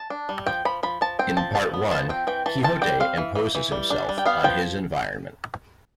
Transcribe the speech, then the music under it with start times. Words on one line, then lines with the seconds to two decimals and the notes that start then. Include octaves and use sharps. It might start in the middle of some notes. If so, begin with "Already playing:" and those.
In Part One, Quixote imposes himself on his environment.
Already playing: A5
0.10 D4
0.29 G3
0.46 F3 G5
0.65 F3 B5
0.83 F3 B5
1.01 F3 A5
1.19 C4 G5
1.37 F3 A5
1.55 F3 A5
1.74 B3
1.91 F3 A5
2.09 C4 G5
2.27 E3 G5
2.46 E3 A5
2.63 C4 A5
2.82 G3 G5
3.00 C4 F5
3.18 E3
3.35 E3
3.55 E3
3.72 G3
3.90 D4
4.09 G3
4.18 G5
4.26 B3 F5
4.44 F3 G5